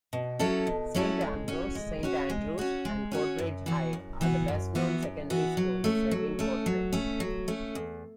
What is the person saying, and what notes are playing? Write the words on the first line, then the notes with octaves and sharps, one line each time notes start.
Saint Ambrose, Saint Andrew's and Coatbridge High are the best-known secondary schools serving Coatbridge.
B2
F#3 C#4 E4 A4
B2
F#3 C#4 E4 A4
G#3
C#4 F#4 C#5
G#3
C#4 F#4 C#5
G#3
C#4 F#4 C#5
G#3
C#4 F#4 C#5
F#2
E3 B3 F#4
F#2
E3 B3 F#4
F#2
E3 B3 F#4
F#2
E3 B3 F#4
F#3
A3 C#4
F#3
A3 C#4
F#3
A3 C#4
F#3
A3 C#4
E2